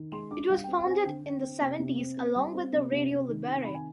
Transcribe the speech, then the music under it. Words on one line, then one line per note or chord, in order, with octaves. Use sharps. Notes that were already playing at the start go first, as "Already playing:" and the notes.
It was founded in the seventies, along with the "Radio libere".
Already playing: D#3
G#3 C6
D4 D6
G3 F5
C4 G5
G5
C4 G#5
D3 G5
D3
C4
C3
C3
C4
C4
G3
C4
C3
C3
C3
D#3
C3
D#3 B5
G#5